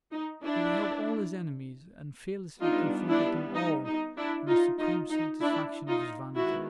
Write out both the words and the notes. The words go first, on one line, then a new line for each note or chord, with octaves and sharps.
He beheld all his enemies, and fearlessly confronted them all in a supreme satisfaction of his vanity.
D#4
D4 E4
G3 B3 D4 D#4 F4
D4 E4
D#4
D#4
D4 E4
D#4 F4
D#4 F4
D#4
D4 E4
D#4 F4
D#3 G#3 B3 E4 F#4